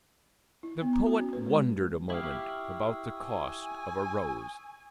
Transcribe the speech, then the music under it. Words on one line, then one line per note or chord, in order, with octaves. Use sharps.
The poet wondered a moment about the cost of a rose.
E4
B3
A#5
F#4
C#4
B4
G#3
E4 G4 F5 C#6 D#6 E6
G#5